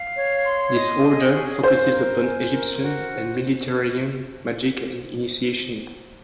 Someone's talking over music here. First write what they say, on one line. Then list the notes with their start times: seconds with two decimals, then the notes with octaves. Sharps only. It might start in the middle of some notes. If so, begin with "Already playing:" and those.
This Order focuses upon Egyptian and Mediterranean magick and initiation.
Already playing: F5
0.16 C#5
0.45 C6
0.75 D#5
1.04 G#4
1.34 C#4
1.63 C5 F5
1.92 A#4
2.21 G#5
2.51 A#4
2.80 F#4